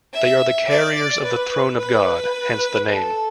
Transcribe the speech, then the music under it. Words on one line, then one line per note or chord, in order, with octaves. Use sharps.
They are the carriers of the Throne of God, hence the name.
E5
D5
B4
B4
A4